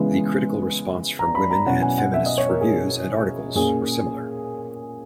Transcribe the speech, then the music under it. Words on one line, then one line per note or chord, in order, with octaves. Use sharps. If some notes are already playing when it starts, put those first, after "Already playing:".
The critical response from women and feminist's reviews and articles were similar.
Already playing: C#3 E3 G#3 B3
A#5
B5
A#5
B2 F#3 C#4 E4 F#5
G#5
F#5
E5
D#5
C#5
A#4
G#4
A#2 A#3 C#4 G#4